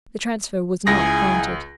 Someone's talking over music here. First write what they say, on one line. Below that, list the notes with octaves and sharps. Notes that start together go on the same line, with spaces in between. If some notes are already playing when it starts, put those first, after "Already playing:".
The transfer was not granted.
C#2 E4 G#4 G#5 A#6